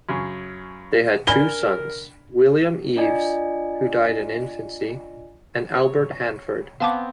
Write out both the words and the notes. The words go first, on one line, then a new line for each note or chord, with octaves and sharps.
They had two sons, William Eves, who died in infancy, and Albert Hanford.
F#2 C#3
D4 A#4 D5 B5 G7
D4 F4 D5 D#5 G#5
C#5
B3 C4 F5 A5 D6